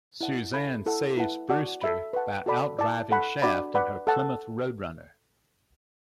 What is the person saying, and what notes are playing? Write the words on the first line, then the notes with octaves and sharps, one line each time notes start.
Suzanne saves Brewster by out-driving Shaft in her Plymouth Road Runner.
E4 D5 F#5 A5
A4 E5 B5
E4 A4 F#5
E4 B4 F#5 A5
F#4 D5 F#5 A5
A4 E5 B5
B4 F#5 A5
F#4 A4 D5 B5
E4 D5 A5
A4 F#5 B5
D4 F#4 D5 B5
B4 D5 F#5 B5
A4 F#5 A5